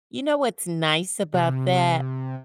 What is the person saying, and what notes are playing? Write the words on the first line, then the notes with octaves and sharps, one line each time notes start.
you know, what's nice about that?
C3